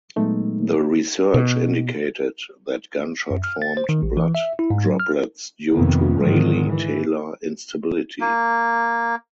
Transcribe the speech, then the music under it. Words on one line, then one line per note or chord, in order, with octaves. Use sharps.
The research indicated that gunshot formed blood droplets due to Rayleigh–Taylor instability.
A#2 F#3 G#3 A3 B3 D#4
B2
F#2
F6
A6
C5
D#3
A1
E3
E5
E4
G#2
F#3
F6
F2 C3 D#3 A#3 B3
G#2 D3 D#3 F3 F#3 G#3
E3
A#3